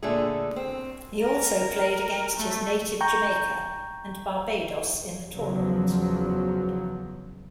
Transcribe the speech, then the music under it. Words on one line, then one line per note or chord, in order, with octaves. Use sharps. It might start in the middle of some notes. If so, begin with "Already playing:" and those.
He also played against his native Jamaica and Barbados in the tournament.
A#2 D3 A3 G#4
C4
A#4
A3
G5 A#5 C#6 G6
E2 C#3 F3 F#3